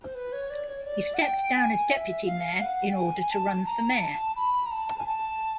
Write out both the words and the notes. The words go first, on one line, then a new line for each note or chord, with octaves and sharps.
He stepped down as deputy mayor in order to run for mayor.
C5
B4
C#5
D5
C#5
D5
F#5
G5
G#5
E5
F5
F#5
G5
G#5
G#5
A5
A#5
A#5
A5
B5
A#5
A5
G#5
A5